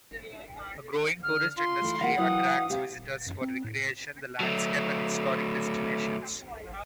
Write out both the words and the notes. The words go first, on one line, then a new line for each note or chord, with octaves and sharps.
A growing tourist industry attracts visitors for recreation, the landscape and historic destinations.
D3 F6
F4 C6
E3 A3
E3 A#3 F4 F5 F#5
E3 F#3 D#6
C3 G4 E5 F5
D#1
F#2
C4
A2
F#3 A3